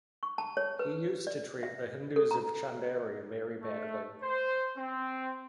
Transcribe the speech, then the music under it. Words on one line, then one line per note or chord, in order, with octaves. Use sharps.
He used to treat the Hindus of Chanderi very badly.
C#6
A5
C#5
B4
D5
E5
A4
A#5
A3
C5
C4